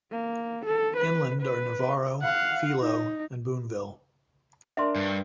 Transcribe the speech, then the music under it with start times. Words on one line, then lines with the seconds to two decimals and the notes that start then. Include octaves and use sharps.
Inland are Navarro, Philo, and Boonville.
0.11 A#3
0.65 A4
0.96 B4
1.41 B4
2.22 F5 F#5
2.80 D#4
4.77 D4 A#4 D5 E5 C6
4.96 G2